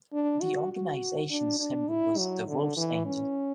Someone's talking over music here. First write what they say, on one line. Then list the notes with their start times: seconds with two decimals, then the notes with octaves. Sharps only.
The organisation's symbol was the "Wolfsangel".
0.13 D4
0.42 F#4
0.72 F#4
1.31 D4
1.59 D4
1.89 E4
2.18 F#3
2.47 D3
2.77 E3
3.06 C#4